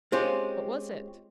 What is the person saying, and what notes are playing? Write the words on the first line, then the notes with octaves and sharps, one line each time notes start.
"What was it?"
G#3 C4 C#4 F4 G4